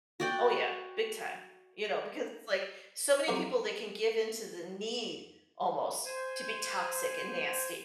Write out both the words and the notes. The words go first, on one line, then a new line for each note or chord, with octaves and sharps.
Oh, yeah. Big time. You know, because it's like, so many people, they can give in to the need almost to be toxic and nasty.
F#4 D5 G5
F3 F#3 A3 C4 G4 C5
C5 G#5